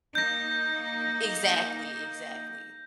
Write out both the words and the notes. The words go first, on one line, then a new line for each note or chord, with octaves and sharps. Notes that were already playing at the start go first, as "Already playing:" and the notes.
M exactly, exactly.
A#3 D#4 G6 A#6